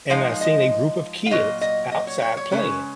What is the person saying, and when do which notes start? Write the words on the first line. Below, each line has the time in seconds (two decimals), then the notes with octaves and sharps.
and I seen a group of kids outside playing,
0.10 F3 G#3 D#4 F5
0.41 D#5
1.26 F5
1.31 A#2 F#3 A#3 D#5
1.61 D#5
1.92 D#5
2.07 C#5
2.22 C#5
2.37 C#5
2.51 C#3 G#3 C#4 B4